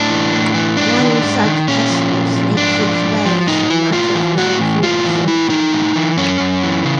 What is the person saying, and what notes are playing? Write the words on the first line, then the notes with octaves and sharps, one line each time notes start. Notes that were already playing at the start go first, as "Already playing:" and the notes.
One such esker snakes its way through much of Mount Hope Cemetery.
Already playing: A2 D4
E3
A2
E3
G#2 D4
D#3
G#2
D#3
A#2 C#4
F3
A#2
F3
G#2 D4
F3
G#2
F3
A2 D#4
E3 E4
A2 F4
E3
A2 F#4
E3
A2 F4
E3
A2 E4
E3 D#4
A2
E3
F#2 C#4
F#2
E3
C#3